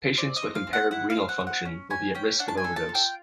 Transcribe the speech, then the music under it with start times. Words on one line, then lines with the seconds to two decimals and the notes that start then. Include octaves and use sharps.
Patients with impaired renal function will be at risk of overdose.
0.17 C4 D5
0.36 D#5
0.43 C4
0.55 F5
0.67 C4
0.73 F#5
0.91 E4 F#5
1.10 F5
1.17 C4
1.29 F#5
1.40 C4
1.47 F#5
1.65 C#4
1.90 C#4 G#5
2.15 C#4 G5
2.39 D4 F#5
2.48 A5
2.57 G#5
2.64 A4
2.76 A5
2.89 F4
2.95 G5